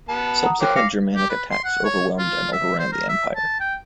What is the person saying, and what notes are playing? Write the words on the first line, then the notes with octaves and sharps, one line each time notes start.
Subsequent Germanic attacks overwhelmed and overran the empire.
B3 A5
F#5 A#5 D#6
F3 A#4 C#5 G5 D6 F#6
F5 D6 A#6 C#7
G4
B4
C6
F#5
C#5
F4
E5
C5
A#4
E5
A5
G5